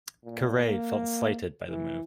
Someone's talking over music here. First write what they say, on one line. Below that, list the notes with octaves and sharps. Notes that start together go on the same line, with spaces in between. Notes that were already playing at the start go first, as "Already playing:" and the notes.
Caray felt slighted by the move.
A#2
A#3
E3